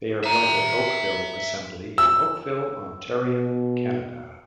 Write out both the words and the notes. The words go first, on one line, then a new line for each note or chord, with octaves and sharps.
They are built at Oakville Assembly in Oakville, Ontario, Canada.
E5 A#5
E6
B2